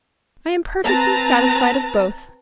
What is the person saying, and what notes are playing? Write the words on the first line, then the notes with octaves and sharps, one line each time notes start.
"I am perfectly satisfied of both."
C4 B4 A5 A#5